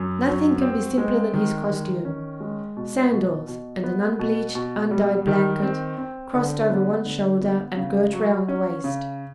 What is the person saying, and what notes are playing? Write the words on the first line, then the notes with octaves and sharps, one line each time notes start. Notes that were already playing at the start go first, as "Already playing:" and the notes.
Nothing can be simpler than his costume--sandals, and an unbleached, undyed blanket, crossed over one shoulder and girt round the waist.
Already playing: F#2
F#3
C4
G#3
D#3
D#3
C#4
G#3
B2
B2
B2
B3
B2
B2
G3
D#3
C4
C4
D3
B3
D3
B3
C#3
F#3
C#4
C#3